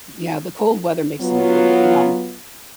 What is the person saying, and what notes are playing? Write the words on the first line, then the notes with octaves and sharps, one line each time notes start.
Yeah, the cold weather makes them a little bit numb.
F#3 B3 F4